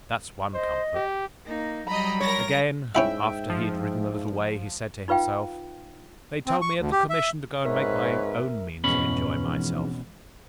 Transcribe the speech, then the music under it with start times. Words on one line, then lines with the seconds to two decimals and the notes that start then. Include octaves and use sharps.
That's one comfort.' Again, after he had ridden a little way, he said to himself: 'they told me at the Commission to go and make my own means of enjoying myself.
0.54 C5 D#5
0.95 G4
1.46 A#3 D#4
1.87 F#3 G3 D#5 A#5 B5
2.20 A#4 C#5 A#6
2.95 G#2 C#4 E4 E5 F5 G5
3.50 F3
5.08 D#4 F4 B4 F5 G5
6.47 C4
6.62 C#6
6.79 D2
6.92 G4
7.10 E5
7.65 G#2 C4 A#4 B4 C#5 E5
8.84 F2 G#2 B2 E3 C#4 B5